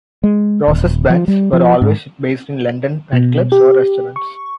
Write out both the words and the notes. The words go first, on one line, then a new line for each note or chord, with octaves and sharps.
Ros's bands were always based in London nightclubs or restaurants.
G#3
D#1
F3
G3
F3
G#2
B2
G4
C#6